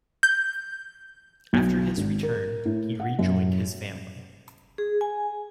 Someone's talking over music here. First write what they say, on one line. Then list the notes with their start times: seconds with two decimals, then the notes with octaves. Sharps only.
After his return, he rejoined his family.
0.23 G6
1.53 B1
1.97 G#1
2.23 A#4
2.65 A2
3.00 F#5
3.19 F#2
4.78 G#4
5.01 G#5